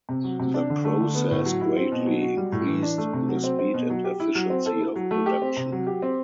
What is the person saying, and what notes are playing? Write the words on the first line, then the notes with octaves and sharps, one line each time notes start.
The process greatly increased the speed and efficiency of production.
C3
F#3
C3
D4
D3
A3
D3
B3
A2
F#3
E4
C4
B2
F#3
F#4
G3
A2
E3
D4
A3
C3
F#3
C4
C4
B2
F#3
G4
E4
F#3
C4
A4
E4
F#3
A3
G4
C4
C3
F#3
G4
C4